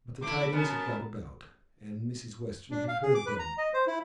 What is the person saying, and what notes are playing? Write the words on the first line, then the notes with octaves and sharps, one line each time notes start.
But the tidings had got about and Mrs. Western had heard them.
A3 E4 D6
F#2 B3 A#4 A5
D4
F5
G#4
D6
B4
A#5
D#5
C5
E4